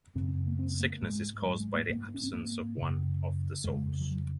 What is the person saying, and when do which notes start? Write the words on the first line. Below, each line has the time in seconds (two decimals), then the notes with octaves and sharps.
Sickness is caused by the absence of one of the souls.
0.15 F#2 C#3 C4
0.47 A#3
0.59 C4
0.80 A#3
1.02 G#2 G#3
1.42 G#3
1.46 F#3
1.60 G#3
1.75 A#3
1.90 G#2 A#3
2.14 C#4
2.24 C4
2.33 A#3
2.77 F#2 C#3
3.64 F2 C#3 G#3
4.00 F3
4.08 F#3